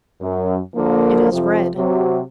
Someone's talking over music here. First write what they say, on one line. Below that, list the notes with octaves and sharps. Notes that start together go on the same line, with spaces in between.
It is red.
F#2
D3 F3 A#3
F2 C3 F3
C3 F#3